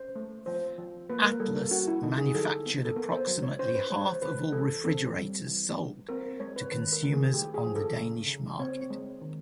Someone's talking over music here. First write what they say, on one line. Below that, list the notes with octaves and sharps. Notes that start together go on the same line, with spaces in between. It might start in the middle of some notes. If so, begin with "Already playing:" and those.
Atlas manufactured approximately half of all refrigerators sold to consumers on the Danish market.
Already playing: C#4 C5
A3
F3 C5
F3
A#3 B4
A#4
G3 A4
A#4
C#4 F#4
E4
D3 D#4
G#4
F#3 A4
B3
A4
B3 A#4
C5
F#3
C#5
C#4 C5
B4
G#3 C#5
C5
E3 B4
E3 A4
C4 A4
G3
E3
E3
C4 A#4
G#3 C#5
B4
D#3 B4
A#4
D#3
G#4
A3 G4
G#4
F3
A4
C#3
C#3
C4 C#5
G#3
D#3